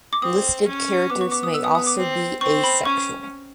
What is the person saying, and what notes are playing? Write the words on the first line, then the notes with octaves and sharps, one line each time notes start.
Listed characters may also be asexual.
D6
C4 D#6
C#4
B3 D6
C#6
D6
D#6
E6
D#6
D#6
D6
C4
C4 C#6
B5
C#4 C#6